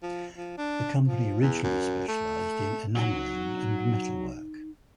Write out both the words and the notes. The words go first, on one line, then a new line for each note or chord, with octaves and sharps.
The company originally specialised in enamelling and metalwork.
F3
F3
D4
F3
E2
F#2
A3
F#3 D#4